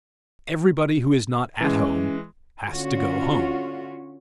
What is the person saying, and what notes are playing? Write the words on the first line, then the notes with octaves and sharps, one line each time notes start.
Everybody who is not at home, has to go home.
E3 G#3 C#4
D3 C#4 F4 F#4